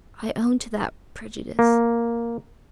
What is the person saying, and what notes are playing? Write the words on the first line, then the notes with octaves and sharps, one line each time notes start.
I own to that prejudice.
A#3